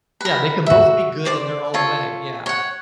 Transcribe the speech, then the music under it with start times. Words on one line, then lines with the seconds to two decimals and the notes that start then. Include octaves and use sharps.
Yeah, they can both be good in their own way, yeah,
0.21 A#4 B4
0.66 F#4 E5
1.25 C5 D5 D6
1.74 F4 A4 C#5
2.46 C#5 F#5